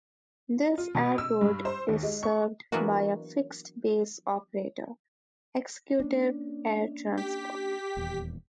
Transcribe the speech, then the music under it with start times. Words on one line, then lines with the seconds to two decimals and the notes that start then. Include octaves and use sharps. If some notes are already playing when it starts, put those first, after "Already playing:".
The airport is served by a fixed-base operator, "Executive Air Transport".
0.78 F4
0.95 B2
1.18 E6
1.41 G2
1.65 C5
1.88 D#2
2.03 G#3
2.23 C#6
2.72 E3 F#3 A#3 B3 D4 F#4
6.00 A#3 C#4 D4
7.17 G4 B6
7.97 D#1 E2